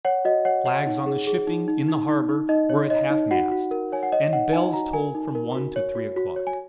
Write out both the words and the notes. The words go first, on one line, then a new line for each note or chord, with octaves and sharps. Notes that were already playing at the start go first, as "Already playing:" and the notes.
Flags on the shipping, in the harbor, were at half-mast; and bells tolled from one to three o'clock.
C#5 F#5
F#4 D#5
C#5 F#5
C#5 F#5
D#4
G#4
G#4
D#4
D#4
D#4
D#4
D#4
D#4 D#5
C#5
C#5 D#5
D#4
F#4 F#5
F#4
A#4
C#5 G#5
F#5
C#5 D#5
D#4 F#5
D#4 G#5
F#4 A#5
A#4 G#5
D#4
A#4
F#4
C#5
F#4
F#4
C#5
G#5